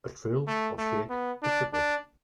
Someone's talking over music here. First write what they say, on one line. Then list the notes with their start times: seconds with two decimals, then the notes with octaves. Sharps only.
A trill, or shake a triplet.
0.48 A3
0.78 A3
1.10 B3
1.43 D4
1.73 D4